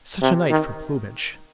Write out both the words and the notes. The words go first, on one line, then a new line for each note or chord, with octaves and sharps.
Such a night for plumage!'
C3
D#3